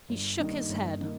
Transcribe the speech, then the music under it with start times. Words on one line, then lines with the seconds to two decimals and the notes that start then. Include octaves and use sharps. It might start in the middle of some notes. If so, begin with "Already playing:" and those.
He shook his head.
0.09 G1
0.39 G2 D#3 A#3 D#4
0.69 G1
1.01 D#3 A#3 D#4